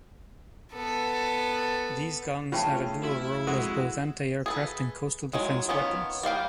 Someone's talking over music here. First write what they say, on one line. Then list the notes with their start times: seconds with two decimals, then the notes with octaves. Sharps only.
These guns had a dual role as both anti-aircraft and coastal defence weapons.
0.74 B3 A4
2.52 C#3 E3 A3 C#4 F4 G5 A5
3.04 E4 F#4 E5
3.47 F2 G#3 F#4 A4
4.46 G#4 A4 B4
5.33 D#3 F#3 G#3
5.69 D#3 B3 C#4 F4 C#5
6.23 G3 A#3 F5 G5